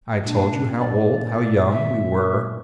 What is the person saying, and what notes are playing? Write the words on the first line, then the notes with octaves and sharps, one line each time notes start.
I told you how old--how young--we were....
A#2 D4
D5
E5